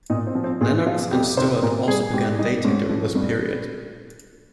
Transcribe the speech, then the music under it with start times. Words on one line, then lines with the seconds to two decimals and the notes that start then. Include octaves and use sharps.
Lennox and Stewart also began dating during this period.
0.10 A#2 D#4
0.27 C4
0.35 F3
0.44 C4
0.61 A#2 G#4
0.86 F3 F4
1.11 F2 G4
1.37 C3 D#3 C5
1.63 A#2 A#4
1.88 G3 G#4
2.14 G#2 G4
2.38 G3 D#4
2.64 G#2 C#4
2.89 F3
3.15 G2